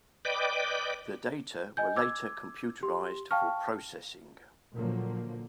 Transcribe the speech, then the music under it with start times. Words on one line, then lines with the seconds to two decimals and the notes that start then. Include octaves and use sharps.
The data were later computerized for processing.
0.25 B4 D5 D#5 G5 D6
1.77 D#5 G#5 G6
1.96 D6 E6 G#6
2.83 G4 C6
3.31 F5 G5 A5 C#6 F6
4.74 A#2 D3 F3 F#3 A#3